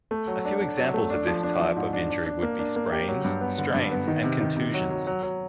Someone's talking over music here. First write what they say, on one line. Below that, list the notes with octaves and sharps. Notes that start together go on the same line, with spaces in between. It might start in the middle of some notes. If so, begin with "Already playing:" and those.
A few examples of this type of injury would be sprains, strains, and contusions.
A3
F#3
D4
D4
F#3
A3
D4
F3
D4
F3
G#2
D4
D4
D4
A#3
D4
A#3
G4
F#3
G2
B3
D3
G2
B3
D#3
C3
D#3
C3
F#3
F#3
F#3
F#3